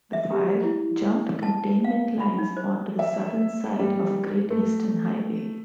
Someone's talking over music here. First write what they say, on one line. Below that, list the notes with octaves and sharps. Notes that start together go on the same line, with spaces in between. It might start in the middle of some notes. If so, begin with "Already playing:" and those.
The fire jumped containment lines onto the southern side of Great Eastern Highway.
E5
G4
E4
A5
F5
B5
D#4
C5
E5
G3
A3